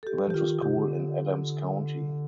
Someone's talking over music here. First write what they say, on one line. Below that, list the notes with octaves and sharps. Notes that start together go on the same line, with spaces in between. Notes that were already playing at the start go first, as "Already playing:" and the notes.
He went to school in Adams County.
A4
G4
F3
G4
D#3 F4
D3 G4
C3
D3